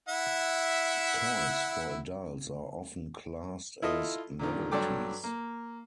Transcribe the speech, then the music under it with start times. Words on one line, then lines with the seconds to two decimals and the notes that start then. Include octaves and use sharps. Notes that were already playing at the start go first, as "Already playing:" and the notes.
Toys for adults are often classed as novelties.
0.09 E4 E5 F#5
3.82 E4 F4 A4 D#5
4.39 A#2 D3 D#3
4.71 G2 F#3 A4 D5 G5 D6
5.24 A#3